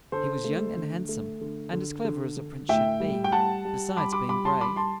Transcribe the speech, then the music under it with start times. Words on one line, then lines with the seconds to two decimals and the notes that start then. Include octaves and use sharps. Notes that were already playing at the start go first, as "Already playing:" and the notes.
He was young and handsome, and as clever as a Prince should be, besides being brave.
0.12 D3 A4 C5
0.44 A3
0.77 D3
1.09 A3
1.41 D3
1.73 D3
2.05 D3
2.37 D3
2.68 A2 E5 G5
3.00 G3
3.24 G5
3.32 G3 F#5 A5
3.65 G3
3.97 G3 B5 D6
4.12 B5 D6
4.28 G3 B5 D6
4.45 A5 C6
4.61 G3 B5 D6
4.76 A5 C6